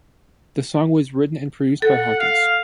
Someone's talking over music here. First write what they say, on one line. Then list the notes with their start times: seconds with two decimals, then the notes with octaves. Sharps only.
The song was written and produced by Hawkins.
1.82 A4 F#5
2.19 F5